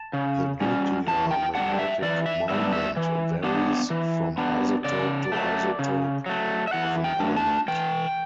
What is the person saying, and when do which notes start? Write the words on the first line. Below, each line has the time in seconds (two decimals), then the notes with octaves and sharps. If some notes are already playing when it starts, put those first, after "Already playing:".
The nuclear magnetic moment varies from isotope to isotope of an element.
Already playing: A5
0.13 C#3
0.61 G3 C#4
1.07 E3 A5
1.31 G5
1.55 B3 D4 F#5
1.60 G3
1.79 E5
2.02 E3 D5
2.26 E5
2.49 G3 B3 D4 E5
2.73 E5
2.97 E3
3.44 B3 D4
3.90 E3
4.38 B3 D4
4.85 C#3 D5
5.32 F#3 A3
5.79 C#3
6.26 F#3 A3
6.68 E5
6.73 E3 F#5
7.04 G5
7.20 A3 D4
7.37 A5
7.68 E3 G5